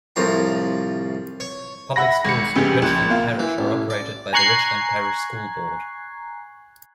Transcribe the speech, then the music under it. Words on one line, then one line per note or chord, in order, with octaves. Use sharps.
Public schools in Richland Parish are operated by the Richland Parish School Board.
C2 A2 F3 A#5
C#5
E5 F#5 B5 A#6
G#1 C#7
F1 C#3 G4 G6
A#1 F#6
A#3 F4
E3
A1
D5
G#5 A#5 C#6 F#6 G#6 C7